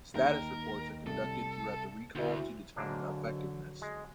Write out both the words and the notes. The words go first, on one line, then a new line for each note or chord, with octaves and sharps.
Status reports are conducted throughout the recall to determine effectiveness.
D#2 D#3 A#4 G5
C2 A4
D2 E4 F#4 E5
G#2 D3 F#3 A#3 D4
G#3